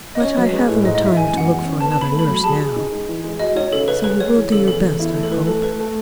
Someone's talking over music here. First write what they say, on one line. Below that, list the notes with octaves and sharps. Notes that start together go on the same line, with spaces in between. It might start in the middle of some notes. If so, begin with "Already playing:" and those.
But I have no time to look for another nurse now, so you will do your best, I hope.
D#5
C#4 C#5
F#3 B4
G#3 B4
A2 B4
G#2 D#5
D#5
E4 E5
E3 G#5
G#5
F#2 F#5
E2
C#4
B3 A5
A5
B3
B5
A3
B5
F#3
B5
G#4 A5
G#4
D#4
G#3
E3
G#3
F#4 D#5
D#4 C#5
C#3 A4
C#3 B4
G#3 B4
G#3 C#5
E3
C#3 A4
E2 A4
E2
E4
A3
A4
E3 B4
A3 A4
A3 B4
A3